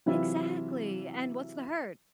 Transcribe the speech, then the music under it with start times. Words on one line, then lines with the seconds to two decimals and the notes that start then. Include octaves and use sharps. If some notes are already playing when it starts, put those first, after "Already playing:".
Exactly, and what's the hurt?
0.06 C3 E3 F#3 E4 F4